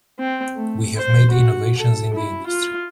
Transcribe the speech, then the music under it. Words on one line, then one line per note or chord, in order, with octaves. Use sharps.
We have made innovations in the industry.
C4
A3
C5
F#4
A4
E4
F4